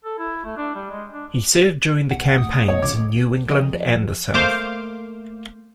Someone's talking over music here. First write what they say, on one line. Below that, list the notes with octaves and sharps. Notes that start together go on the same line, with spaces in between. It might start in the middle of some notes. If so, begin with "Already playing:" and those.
He served during campaigns in New England and the South.
A4
E4
A3
D4
G3
G#3
D4
B1 F#5
D1 D#6
A#2 B3 C#5 D#5
C#3 F3 D6 G#6
F2 D#5
A3 A#3 C5 D#5 F5 D6